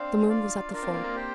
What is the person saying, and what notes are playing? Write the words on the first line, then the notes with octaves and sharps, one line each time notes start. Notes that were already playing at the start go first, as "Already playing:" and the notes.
The moon was at the full.
Already playing: C4 D4 C5 F5
F4 D5 F5
D4 F4 A#4 D5 F5
C4
A#3
A#3
G4 C5 G5